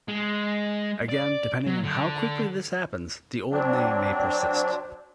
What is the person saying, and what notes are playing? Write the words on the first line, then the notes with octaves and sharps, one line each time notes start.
Again, depending on how quickly this happens, the old name may persist.
G#3
D5
F#3
D3
F#3 C4 D4